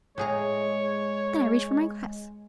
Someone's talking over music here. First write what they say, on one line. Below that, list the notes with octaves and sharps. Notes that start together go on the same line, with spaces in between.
Then I reached for my glass.
A2 G#3 G#4 C#5 A#5